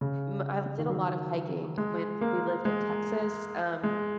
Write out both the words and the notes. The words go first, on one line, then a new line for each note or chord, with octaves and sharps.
m I did a lot of hiking when we lived in Texas, um,
C#3
D#3
F#3
G#3
A#3
G#3
G#3